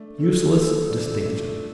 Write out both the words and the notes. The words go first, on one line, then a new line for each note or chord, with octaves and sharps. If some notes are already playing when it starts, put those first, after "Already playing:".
Useless distinction!
Already playing: A3 D4
A#2 A4
F3
D4
A3